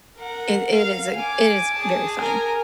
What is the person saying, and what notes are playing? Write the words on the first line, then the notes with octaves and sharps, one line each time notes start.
i it it is it is very fun.
A#4 F#5
F5
G#5 D6
G#4 A5
A#4 G#5